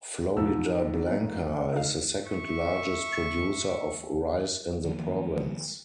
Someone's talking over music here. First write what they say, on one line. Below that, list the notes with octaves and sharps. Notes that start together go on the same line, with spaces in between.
Floridablanca is the second largest producer of rice in the province.
E2 G#2 B2 F3 E6
B3
D#4 F5
E5 C#6
D#3 F3 A#3